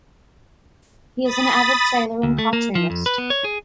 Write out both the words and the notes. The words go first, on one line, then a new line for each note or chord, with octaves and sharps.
He is an avid sailor and cartoonist.
B5 D#6 A6
D2
A3
A#3
F3
F2
B4
B3
C#5
G#4